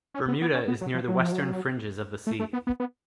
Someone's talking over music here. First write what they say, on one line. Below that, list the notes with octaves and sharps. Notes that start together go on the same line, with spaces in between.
Bermuda is near the western fringes of the sea.
C#4
B3
B3
C#4
B3
F#3
F3
F#3
F3
F#3
A3
A3
B3
B3
B3